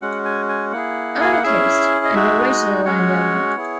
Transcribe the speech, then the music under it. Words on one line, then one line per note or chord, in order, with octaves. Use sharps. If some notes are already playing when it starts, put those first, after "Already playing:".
Armacost, an original landowner.
G#3 C#4 F#4 F#5
G#5
G#5
A#3 E4 G#4 F#5
G#5
F#5
C#4 E4 G#4 E5
D#5
G#3 D#4 F#4 E5
D#5
G#3 C#4 F#4 C#5
B3 E4 G#4